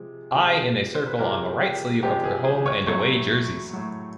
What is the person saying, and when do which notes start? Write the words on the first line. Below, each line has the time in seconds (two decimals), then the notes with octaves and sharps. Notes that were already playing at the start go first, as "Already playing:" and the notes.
I' in a circle on the right sleeve of their home and away jerseys.
Already playing: C3 F3 G#3
0.34 C3 F3 G#3
0.94 C5
1.06 B4
1.18 C3 F3 G#3 A#4
1.61 G4
2.03 C3 F3 G#3 G4
2.24 G#4
2.44 G#4
2.66 C#5
2.87 A2 F#3 A3 C#5
3.71 A2 F#3 A3